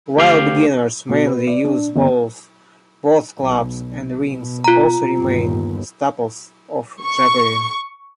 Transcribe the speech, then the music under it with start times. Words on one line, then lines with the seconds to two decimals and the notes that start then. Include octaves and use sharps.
While beginners mainly use balls, both clubs and rings also remain staples of juggling.
0.17 D2 G4 F5
1.09 B2
1.27 B4
1.47 D5
1.65 D4
1.96 G1
3.40 B1
4.27 B2
4.64 F4 A#5
5.19 G1 D#2
7.04 C#6